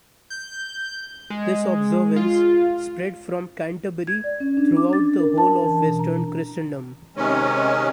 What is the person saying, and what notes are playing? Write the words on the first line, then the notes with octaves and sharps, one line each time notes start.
This observance spread from Canterbury throughout the whole of western Christendom.
G6
G#3
F4
G#6
D5
C#4
D4
D6
A6
A#4
A5
E3
B2
A#5
C3 D#3 G#3 C#4